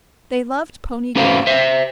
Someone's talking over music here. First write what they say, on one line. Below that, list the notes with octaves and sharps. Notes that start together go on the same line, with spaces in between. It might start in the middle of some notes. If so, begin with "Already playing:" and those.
They loved pony Grant.
A3 C#4 F#4 B4 C5 F5
C5 E5